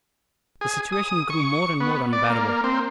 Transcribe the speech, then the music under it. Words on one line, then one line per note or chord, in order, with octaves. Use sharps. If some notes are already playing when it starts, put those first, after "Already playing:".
The situation grew more and more unbearable.
G#4
D#6
C#6
B3
D5
A#3
C4